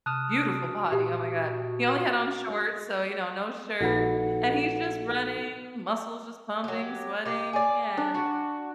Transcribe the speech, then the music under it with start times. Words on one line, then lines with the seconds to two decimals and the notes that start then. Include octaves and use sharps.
beautiful body, oh my god, he only had on shorts, so, you know, no shirt. And he's just running, muscles just pumping, sweating, and
0.06 C3 A5 D#6 F6 F#6
0.46 F#4
0.92 A#2 G4
3.81 A#1 D#4 F#4 A4 B4 F#5
6.64 F#3 G4
7.25 D#4 G4
7.53 G#4 D5
7.97 D4
8.14 F#4